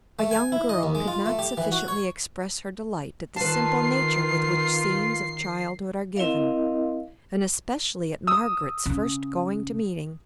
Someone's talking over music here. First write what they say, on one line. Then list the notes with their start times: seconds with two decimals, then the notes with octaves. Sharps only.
A young girl could not sufficiently express her delight at the simple nature with which scenes of childhood are given, and especially at Margaret's first going to meeting.
0.19 A3
0.31 G#5
0.52 E4
0.69 D#5
0.83 D#2
0.95 G#3
1.08 F4
1.26 A3
1.39 G4
1.57 E3
1.72 F#4
1.88 C#5
3.36 D#3 F4 B4 A5 C7
6.16 C4 E4 A#4 D#5 F5
8.27 D#6 E6
8.86 C#3